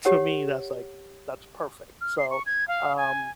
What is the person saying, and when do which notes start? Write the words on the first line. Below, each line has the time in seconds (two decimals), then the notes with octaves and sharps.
to me, that's, like that's perfect. So, um,
0.05 G4 C#5 F#5
2.01 F6
2.19 C7
2.31 C#6
2.46 G#6
2.68 F5
2.97 G#5